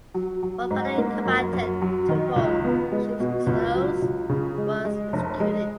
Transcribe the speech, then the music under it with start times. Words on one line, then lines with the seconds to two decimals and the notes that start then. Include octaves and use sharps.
One fellow combatant to whom she was close was executed.
0.14 F#3
0.43 F#3
0.70 G#2
0.98 A#3
1.25 F#2
1.53 F#2
1.82 F#3
2.09 D#3
2.36 C#2
2.65 B3
2.92 G#3
3.20 B2
3.47 C#2
3.75 F#3
4.02 C#2
4.29 C#3
4.58 G#3
4.85 G#3
5.13 F1
5.40 G#3